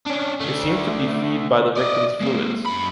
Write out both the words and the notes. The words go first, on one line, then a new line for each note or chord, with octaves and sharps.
They seem to be feed by the victims fluids.
C#4 D4
D3 A3
D5 D#5
G#3 A#3
F#2 B5